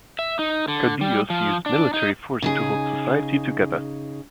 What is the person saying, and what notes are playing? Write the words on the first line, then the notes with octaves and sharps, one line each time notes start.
Caudillos used military force to hold society together.
E5
D#4
D3
G3
F3
D4
D#4
C#3 D#4 G#4